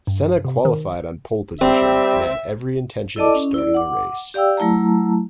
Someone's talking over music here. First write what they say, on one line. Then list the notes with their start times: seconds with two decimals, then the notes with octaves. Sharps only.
Senna qualified on pole position, and had every intention of starting the race.
0.07 G2
0.44 C3
0.65 D#3
1.61 G3 C4 E5
3.16 E4 A4 D5 D#5 A5 D6
3.34 C#4
3.54 E4 D5
3.74 F#5 D6
4.34 G4 D5 F5 G5 E6
4.57 F#3 A3 E4 A5 A#5